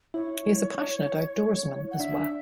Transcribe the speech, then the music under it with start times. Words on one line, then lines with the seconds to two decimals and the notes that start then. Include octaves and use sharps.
He is a passionate outdoorsman as well.
0.14 E4 C#5
1.91 F#5
1.99 D4 E5